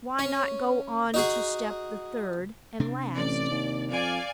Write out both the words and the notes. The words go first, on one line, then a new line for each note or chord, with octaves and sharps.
Why not go on to step the third, and last?
C#4
D#4 F#4 G#4
C3 C4 D4
A1 D5
D#2
F2 D5 F5 G#5